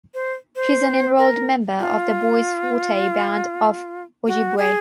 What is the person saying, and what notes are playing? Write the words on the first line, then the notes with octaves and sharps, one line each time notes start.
She is an enrolled member of the Bois Forte Band of Ojibwe.
C5
C5
A#4
F4
F#4
G#4